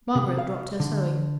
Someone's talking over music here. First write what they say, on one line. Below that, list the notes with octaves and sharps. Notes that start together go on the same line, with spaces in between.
Margaret dropped her sewing.
C3
F5
D3